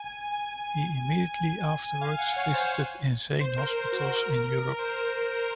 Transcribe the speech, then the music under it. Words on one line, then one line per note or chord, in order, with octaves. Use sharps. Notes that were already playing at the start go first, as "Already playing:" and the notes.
He immediately afterward visited insane hospitals in Europe.
Already playing: G#5
G#5
F5
F#5
C#5
C5
C5
A#4
A#4
F#4
A#4
C5